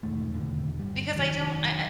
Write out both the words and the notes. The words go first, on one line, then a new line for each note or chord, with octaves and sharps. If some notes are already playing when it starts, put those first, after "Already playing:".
because I don't I
E1 D#2 G#2 A3
E1 D#2 A2 D3
G1 G3
F1 D#3 F#3 D4